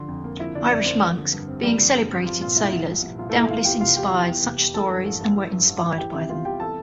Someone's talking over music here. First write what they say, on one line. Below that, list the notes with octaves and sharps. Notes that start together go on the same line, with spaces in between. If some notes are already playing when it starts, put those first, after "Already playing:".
Irish monks, being celebrated sailors, doubtless inspired such stories and were inspired by them.
Already playing: D3 F3 C6
F2
A#3
F3 E4 E5
D3 D4 D5
F2 D4 D5
A#3 C4 C5
F3
D3
G2
C4
F3 G3 G4
D3
G2
C4
F3 F4
A#2 F4
C2 E4
C2
F3
A#2
C2 F4
A3 A4
C2 E4 E5
E3 F4 F5
E2 G4 G5
F1 F4 F5
G3 G4 G5
E3
E2
F1
G3
E3 A4 A5
G2
A1
A1
E3
G2
A1
A1
E3 G4 G5
C3 E4 E5
E2 F4 F5
G3 G4 G5
E3 A4 A5